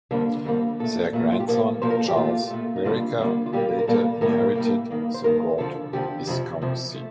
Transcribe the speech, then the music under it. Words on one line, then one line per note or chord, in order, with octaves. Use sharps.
Their grandson Charles Vereker later inherited the Gort viscountcy.
F2 D3 G3 A#3
F2 D3 G3 A#3
A#2 A3 A4
A#2 A3
F4
G4
A#2 F3 A#3 A4
A#2 F3 A#3 C5
A#4
A4
G4
A#2 A3 F4
A#2 A3
D#4
F2 D3 G3 A#3 F4
F2 D3 G3 A#3
F4
A#2 G3 A#3 G4
A#4
A#2 G3 A#3 A4
A2 G3 A#3 A#4
A2 G3 A#3
G2 D#3 A#3
C5
G2 D#3 A#3 A#4
F2 D3 F3 A4
F2 D3 F3 G4
F2 C3 F3
F2 C3 F3
A3